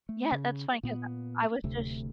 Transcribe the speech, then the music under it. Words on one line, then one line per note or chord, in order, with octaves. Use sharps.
Yeah, that's funny 'cause I I was just
A3
C#3
A#2 B3
D1 D2 C3 A3